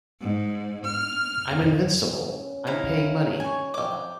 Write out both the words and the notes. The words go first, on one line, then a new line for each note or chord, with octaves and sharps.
I'm invincible, I'm paying money... uh...
G#2
F6
F2
C#4
D#4 E4 F5
G#5 C#6
F2 G5 D6